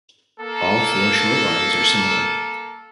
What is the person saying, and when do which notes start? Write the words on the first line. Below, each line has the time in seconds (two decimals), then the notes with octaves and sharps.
All four short lines are similar.
0.40 A#3 A4